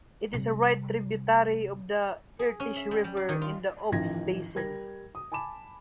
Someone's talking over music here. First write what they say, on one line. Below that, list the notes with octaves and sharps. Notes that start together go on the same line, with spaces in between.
It is a right tributary of the Irtysh River in the Ob's basin.
C3 G3
G#4
C#4
E5
G3
G3
D5
D#3
F4
A1 D#3 F3 G#6 A#6
G3 A#4 G#6 A#6
D#6
G#5 A5 B5 D6 E7